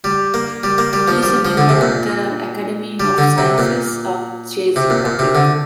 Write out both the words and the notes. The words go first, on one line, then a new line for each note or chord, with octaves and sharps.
He is a member of the "Academy of Sciences of the Czech Republic".
G3
A#3
G3
A#3
G3
F3
G3
F3
D3
C3
A#2
G3
D3
C3
A#2
C3
A#2
A#2
C3
D3